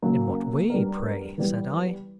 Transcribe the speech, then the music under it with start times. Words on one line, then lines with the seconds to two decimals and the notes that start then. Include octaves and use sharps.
'In what way, pray?' said I.
0.02 C#3 F#3 A#3 C#4
0.70 G3 B3 D4 A#4
1.38 E3 G3 B3